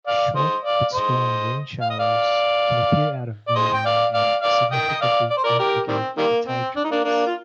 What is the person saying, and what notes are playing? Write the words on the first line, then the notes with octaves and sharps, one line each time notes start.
Short but strong rainshowers can appear out of nowhere and significantly complicate the tyre-choice.
D5 F5
C5 D#5
D5 F5
C5 D#5
F5
D#5
D5 F5
D5
C5 D#5
G5
D5 F5
D5 F5
D5 F5
D#5 G5
D#5
D5 F5
D5
C5
A#4 D5
G4 A#4
D#3 G3 C4
D#3 G3 A#3
C4
D4
D#4
A#3 D4
A#3 D4
F4